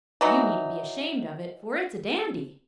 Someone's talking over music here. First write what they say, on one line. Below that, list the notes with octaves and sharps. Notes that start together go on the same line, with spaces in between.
You needn't be ashamed of it, for it's a dandy.
E3 F#3 D#4